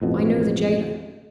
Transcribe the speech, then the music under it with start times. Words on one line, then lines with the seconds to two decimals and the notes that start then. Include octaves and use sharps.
I know the gaoler.
0.01 A1 F2 B2